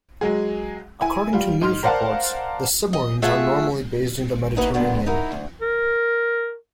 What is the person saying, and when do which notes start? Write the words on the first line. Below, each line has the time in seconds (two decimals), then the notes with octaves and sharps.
According to news reports the submarines are normally based in the Mediterranean.
0.21 F#3 G#3 G#4
1.01 E4 G#5
1.33 G3 F4
1.62 G#2 C6 F6
1.83 A#4 C5 D5 F5 F#5 A5
2.93 D#5
3.22 A3 F4 G#4 E5 F#5
4.56 A#3 B3 D#4 E4 F#4 B4
4.74 G2 A#2 D3 B3
5.06 D#4 E4 F#4 A#4
5.32 D2
5.62 A#4